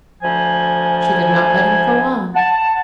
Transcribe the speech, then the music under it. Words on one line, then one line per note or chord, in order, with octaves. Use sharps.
She did not let him go on.
D2 F3 G#5
F#5 A5